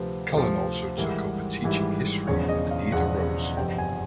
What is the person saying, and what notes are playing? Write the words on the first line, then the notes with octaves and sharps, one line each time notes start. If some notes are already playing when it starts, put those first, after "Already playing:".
Cullen also took over teaching history when the need arose.
Already playing: D2 C3 F3 B4
D2 C3 F3
G#1 G#2 E3 G3 A#4
G#1 G#2 E3 G3
E1 E2 C#3 F3 C#5
D#5
F5
E1 E2 C#3 F3 F#5
G1 F2 C3 F3 G5
G#5